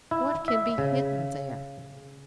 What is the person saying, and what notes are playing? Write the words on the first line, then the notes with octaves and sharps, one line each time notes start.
What can be hidden there?
E4
E5
C#3